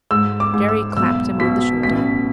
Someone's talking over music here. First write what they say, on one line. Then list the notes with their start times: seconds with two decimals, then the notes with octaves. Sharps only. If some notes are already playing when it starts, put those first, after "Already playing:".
Jerry clapped him on the shoulder.
0.11 G#2 E6
0.40 D6
0.54 G#2
0.69 E6
0.97 B1 E6
1.40 B2 B6
1.83 A1 B6